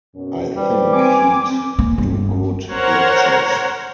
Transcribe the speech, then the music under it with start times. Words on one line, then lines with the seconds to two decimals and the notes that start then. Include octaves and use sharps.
I think he'd do good lectures.
0.15 F#2 B2 C#4
0.56 D#3 G3 B4 C5
0.93 C4 G#5 D6
1.79 A#3
1.98 G1
2.72 A#4 C5 C#5 F#5 A#5